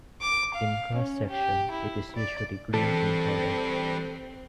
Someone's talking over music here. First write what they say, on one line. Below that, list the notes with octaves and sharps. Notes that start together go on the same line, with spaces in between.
In cross section, it is usually green in color.
D6
F5
C#4
G4
E4
D5
E3 G3 C4 D4 A4